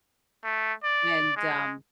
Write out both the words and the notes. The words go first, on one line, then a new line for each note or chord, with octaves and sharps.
and um
A3
D5
G#3